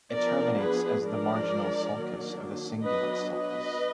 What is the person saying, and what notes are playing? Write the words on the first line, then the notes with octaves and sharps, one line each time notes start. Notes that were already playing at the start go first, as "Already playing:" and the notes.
It terminates as the marginal sulcus of the cingulate sulcus.
F3 B3 D4 A#4 D5
G#4 B4
F3 G#3 D4 A#4 D5
D#3 F#3 A#3 D4
F#3 B3 D4 B4 D#5
B4 D#5